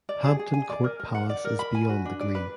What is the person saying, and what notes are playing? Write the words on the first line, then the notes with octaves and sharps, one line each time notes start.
Hampton Court Palace is beyond the Green.
D5
G#4
G#4
G#5
D5
A#4
A#4
F#5
D5
A#4
B5
G#5
F#4
D4
D5
B4